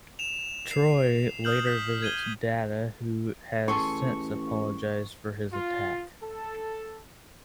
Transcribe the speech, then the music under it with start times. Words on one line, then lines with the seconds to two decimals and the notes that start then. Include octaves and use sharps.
Troi later visits Data, who has since apologized for his attack.
0.19 E7 F7
0.71 C7
1.44 D#6 F6 G6 F#7
1.66 G6 B6
2.02 G#6 D#7 G7
3.68 A1 G#4 A4 C6 C#6
5.53 F4
6.23 A4